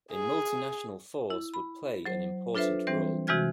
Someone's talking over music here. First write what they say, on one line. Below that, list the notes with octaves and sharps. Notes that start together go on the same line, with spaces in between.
A Multinational Force would play an important role.
G#4
E4
B5
F#3 C5
D4 F4 A4 B4 C5 E5
E3 G3 C4 C5
C3 E3 G#3 F#4 F6 G#6